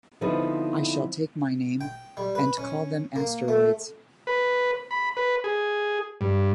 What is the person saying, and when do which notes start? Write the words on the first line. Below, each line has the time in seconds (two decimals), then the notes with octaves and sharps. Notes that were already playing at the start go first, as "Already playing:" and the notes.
I shall take my name, and call them asteroids.
0.21 D3 F3 B3 C4 D#4 E4
1.81 G5
2.17 G3
2.35 B4
2.58 C#4
3.16 A#3
3.48 A3
4.27 B4
4.91 B5
5.17 B4
5.44 G#4
6.21 G2